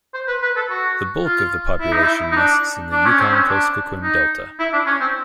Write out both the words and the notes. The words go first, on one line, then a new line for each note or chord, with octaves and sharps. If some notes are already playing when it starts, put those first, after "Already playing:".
The bulk of the population nests in the Yukon-Kuskokwim Delta.
C5
B4
B4
A4
F#4
F4
E4
D#4
E4
D#4
D4
D4
C#4
C4
C#4
D4
D#4
E4
D4
C#4
C4